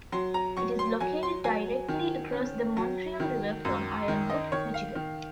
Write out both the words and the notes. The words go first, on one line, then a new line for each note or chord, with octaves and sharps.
It is located directly across the Montreal River from Ironwood, Michigan.
F#3 C6
A#5
F#3 C#6
C6
F#3 G#5
C6
F#3 G#5
D#3
C#4
F#3
D#3
F#2
D#3
D#5
D#3 C#5
F5
D#3